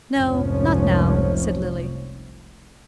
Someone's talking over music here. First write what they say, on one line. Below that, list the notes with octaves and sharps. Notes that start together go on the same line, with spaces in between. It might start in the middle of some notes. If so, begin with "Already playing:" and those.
"No, not now," said Lily.
F1 C2 G#2 F3 C#4